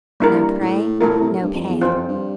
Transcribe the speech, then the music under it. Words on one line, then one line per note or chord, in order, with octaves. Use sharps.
No prey, no pay.
G2 A#3 E4 A#4
A2
A#2 A3 E4 A#4
A2
C3
A2
G2
F2
E2
F2 C4 F4 C5
F2
G2